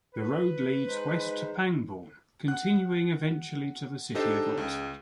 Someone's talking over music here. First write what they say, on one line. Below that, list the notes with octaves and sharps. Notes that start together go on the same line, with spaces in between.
The road leads west to Pangbourne, continuing eventually to the city of Oxford.
B4
G#3 D#4 C5
F#5 F#6
D4 D#4 G4 A4 C5 D#5
C#2